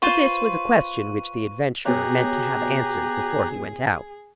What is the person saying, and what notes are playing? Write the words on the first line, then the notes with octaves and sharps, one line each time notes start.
But this was a question which the adventurer meant to have answered before he went out....
F4 B4 C5 C#6 D#7
B2 G4 G#4 C#5 A#5 F#6